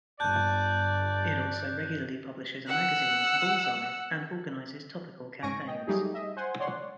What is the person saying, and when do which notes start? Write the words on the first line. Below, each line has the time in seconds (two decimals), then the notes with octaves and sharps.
It also regularly publishes a magazine, "Bullseye", and organises topical campaigns.
0.20 G1 D5 A5 F#6 G6
2.68 F#5 E6
5.42 G#2 C#4 G#5 C#6 A#6 D7
5.67 D#5 G5
5.87 F#3 G3 A3 D#4 G4 G#4
6.14 D#5 E5
6.37 C5 F#5 G#5 C6
6.60 C#5 D5 F#5 C6